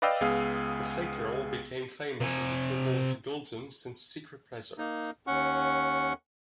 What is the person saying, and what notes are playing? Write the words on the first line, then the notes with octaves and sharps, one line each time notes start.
The Flake Girl became famous as a symbol of indulgence and secret pleasure.
B4 D5 D#5 F5 G5 E6
C#2 B3 G#4 F5
C3 G#5
A#3 D#4
D#2 C#4 F#5 C#6